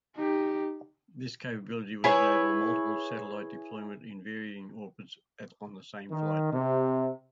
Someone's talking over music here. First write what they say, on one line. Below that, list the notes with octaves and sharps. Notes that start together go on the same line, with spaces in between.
This capability would enable multiple satellite deployment in varying orbits on same flight.
D#4 G4
E4 G#4 B4 C#5
D#3
C3